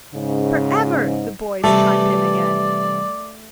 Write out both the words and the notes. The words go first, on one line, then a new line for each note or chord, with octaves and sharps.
"For ever!" the boys chimed in again.
G#2 C#3
C3 E3 G3 A3 D5